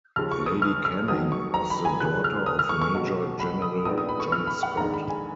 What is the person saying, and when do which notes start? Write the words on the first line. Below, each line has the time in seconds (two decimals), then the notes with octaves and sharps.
Lady Canning was the daughter of Major-General John Scott.
0.16 D#2 C#3 F3 F6
0.32 C#6
0.46 D#6
0.62 F6
0.85 F6
1.08 F2 D#3 F#3 D#6
1.32 C#6
1.54 A#5
1.70 B5
1.85 G#5
2.00 D#2 C#3 F3 F#6
2.24 F6
2.46 D#6
2.59 F6
2.69 C#6
2.81 C#6
2.94 C#2 B2 F#3
3.40 B5
3.62 D#6
3.85 A#1 A#2 G#3 B3 D#4 D#6
3.98 D#6
4.09 B5
4.20 C#6
4.32 F6
4.47 B5
4.63 F#5
4.77 A#1 G#2 D#3 A#5
4.93 B5
5.09 G#5